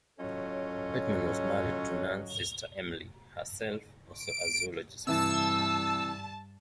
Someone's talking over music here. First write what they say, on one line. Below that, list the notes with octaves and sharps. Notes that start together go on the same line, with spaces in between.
Whitman was married to Nunn's sister Emily, herself also a zoologist.
F#3 C#4 F4 A4 C#5 D#5
D7
G2 C3 E3 G3 A5 E6